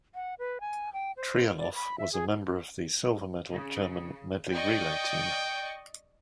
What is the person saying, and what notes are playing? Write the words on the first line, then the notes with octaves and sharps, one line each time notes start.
Trieloff was a member of the silver medal German medley relay team.
F#5
B4
G#5
G5
C5
D5
B5
E5
G#4
C#3
D5 D#5 G5 C#6